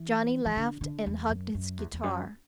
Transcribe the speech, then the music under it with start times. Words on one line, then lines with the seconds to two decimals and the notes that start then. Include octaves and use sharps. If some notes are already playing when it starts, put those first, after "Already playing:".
Johnny laughed and hugged his guitar.
Already playing: E3
0.46 E3
0.57 D3
0.81 D3
1.06 E2
1.29 F#2
1.54 F#2
1.78 E2
1.93 E2
2.03 F#2